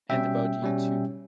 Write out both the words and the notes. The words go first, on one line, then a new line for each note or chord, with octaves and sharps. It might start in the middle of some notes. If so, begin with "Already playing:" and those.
And about you too!
B2 G3 C#4 E5 G5
B2 G3 C#4